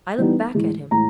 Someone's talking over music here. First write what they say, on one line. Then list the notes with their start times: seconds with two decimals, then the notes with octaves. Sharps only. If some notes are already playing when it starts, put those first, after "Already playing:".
I looked back at him.
0.18 E3 G3 B3 D#4
0.55 A2 E3 G#3
0.91 A2 E3 G#3 A#5